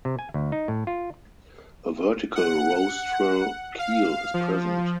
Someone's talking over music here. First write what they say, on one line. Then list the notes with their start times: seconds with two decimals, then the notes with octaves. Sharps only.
A vertical rostral keel is present.
0.05 C3
0.19 G#5
0.34 D2
0.52 D#4
0.68 A2
0.87 F4
2.35 F#5
3.79 F5
4.34 F3